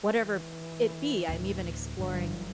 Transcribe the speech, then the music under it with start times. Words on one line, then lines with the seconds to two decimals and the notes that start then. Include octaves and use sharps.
whatever it be. I'm even exploring
0.14 E3
1.29 D2 A2
1.99 G1 G2 D3 F#3